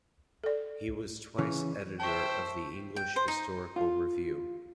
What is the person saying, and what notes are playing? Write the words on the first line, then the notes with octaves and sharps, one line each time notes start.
He was twice editor of the "English Historical Review".
A4 D5
C#3 E3 C#4
C5 E5 G5 A5 C#6
G5
C5
D#4
F4